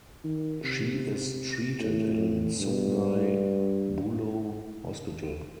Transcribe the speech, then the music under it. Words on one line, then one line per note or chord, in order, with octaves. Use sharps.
She is treated in Sungai Buloh Hospital.
D#3
C3
A2
G2